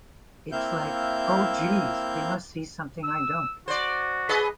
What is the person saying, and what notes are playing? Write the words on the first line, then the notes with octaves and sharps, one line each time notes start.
It's like 'oh geez they must see something I don't'.
A#3 C4 E4 E5 F5 G6
E6
F#4 C5 D5
G#4 B4 D#5